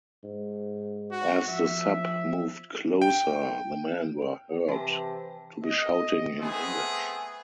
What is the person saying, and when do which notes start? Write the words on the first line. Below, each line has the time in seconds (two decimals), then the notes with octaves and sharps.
As the sub moved closer, the men were heard to be shouting in English.
0.24 G#2
1.11 F#4
1.48 F3 E5
3.02 G5
4.68 C3 E3 B4 G#5 A5
5.63 D#5
6.39 A3 B3 C4 G#4